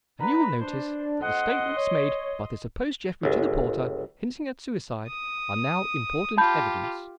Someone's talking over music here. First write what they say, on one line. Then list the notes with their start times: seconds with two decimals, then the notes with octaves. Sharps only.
And you will notice that the statements made by the supposed Jeffrey to the porter, hinting at suicide, are now important evidence.
0.20 B3 D4 B4 A#5
0.62 D4 C5
1.22 F2 D#5 F#5 C6
1.77 C#5
3.23 G1 C#2
5.08 D#6
6.38 F4 G4 A5 B5 G6